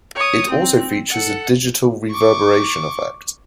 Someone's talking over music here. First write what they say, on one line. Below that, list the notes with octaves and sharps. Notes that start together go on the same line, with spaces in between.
It also features a digital reverberation effect.
C#5 D#6
C4
A4 F#5
C#6 D6